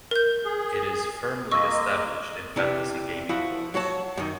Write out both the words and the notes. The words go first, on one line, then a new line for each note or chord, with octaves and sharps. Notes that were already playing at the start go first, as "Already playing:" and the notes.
It is firmly established in fantasy gaming worlds.
A#4 G6
G#4
G#3 A#3 D#5 C#6 E6
C3 E3 D4
F3 E4 F#4
F#3 F#4 C#5 A5
F#2 D#3